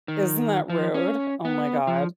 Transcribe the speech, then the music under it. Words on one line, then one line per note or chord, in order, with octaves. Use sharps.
Isn't that rude? Oh my god.
D#3
F3
C#4
B3
F3